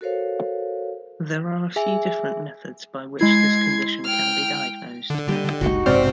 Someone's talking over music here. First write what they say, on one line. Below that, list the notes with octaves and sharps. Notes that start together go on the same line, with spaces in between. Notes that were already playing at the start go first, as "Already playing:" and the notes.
There are a few different methods by which this condition can be diagnosed.
F#4 A4 A#4 C5 C#5 F5
G#4 E5 G#5
G#3 E4 G#6 C7
G5 F6
D3
G3 G4 D#5
F#1 C2 G#3 D#4 F#4
A1 G2 C3 G#3 C4 C5 D5 F6